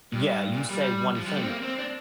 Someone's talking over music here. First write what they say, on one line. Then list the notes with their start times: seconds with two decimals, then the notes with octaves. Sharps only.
yeah, you say one thing
0.13 G2
0.54 A#2
0.70 G3
1.16 F3
1.26 G3
1.37 A3
1.42 C4
1.47 A#3
1.62 C4
1.78 D4